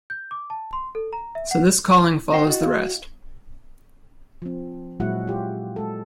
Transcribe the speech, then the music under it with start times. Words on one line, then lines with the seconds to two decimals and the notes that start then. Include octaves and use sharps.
So this calling follows the rest.
0.10 G6
0.31 D6
0.50 A5
0.73 C6
0.95 A4
1.13 A#5
1.35 E5
1.51 F#5
2.32 D#4 C5 F#5 G5 C#6
2.48 E4 F#4 D#5
2.62 F5
4.42 F3 C4
5.00 A#2 F#3 G#3 E4 F#4 F#5
5.27 F4 G4
5.76 G#3 A4